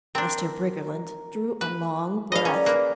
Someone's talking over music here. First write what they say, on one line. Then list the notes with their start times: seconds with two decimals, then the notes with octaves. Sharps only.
Mr. Briggerland drew a long breath.
0.15 C4 D4 A#4
1.61 B4
2.32 G#4 B4 D5 D#5 F5
2.45 C#4 A#4 D5
2.66 A#3 B4